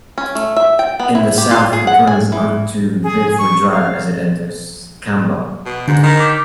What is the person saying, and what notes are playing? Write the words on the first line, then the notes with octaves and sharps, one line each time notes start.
In the south, it runs onto Drakeford Drive as it enters Kambah.
C#4
A3
E5
G5
B3
E4
G4
F4
G#4
F#5
G#5
E3
G#4
C#6
F5
B2
G#2 D3
D#3
D6 G6 B6